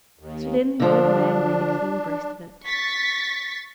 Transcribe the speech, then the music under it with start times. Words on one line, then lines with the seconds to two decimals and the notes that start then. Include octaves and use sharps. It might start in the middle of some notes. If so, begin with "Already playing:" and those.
So then the old man made a clean breast of it.
0.19 D#2
0.80 D3 F3 D4
2.65 C#6 A6 B6